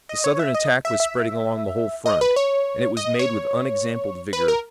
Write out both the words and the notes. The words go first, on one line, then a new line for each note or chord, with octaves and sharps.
The Southern attack was spreading along the whole front, and it was made with unexampled vigor.
D#5
C#5
E5
D#5
E5
E5
D#5
B4
C#5
D#5
C#5
B4
A#4